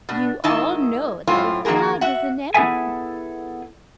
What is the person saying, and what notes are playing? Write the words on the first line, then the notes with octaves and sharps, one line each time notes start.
You all know that a flag is an emblem.
B2 D4
G#2 D#3 E4 D#5 A5
F#2 A2 C4 F4
D#3 F3 A#3 F#4 G#4 A#4
F#4 E5 F#5
B3 E4 G#4 A4 E5 G#5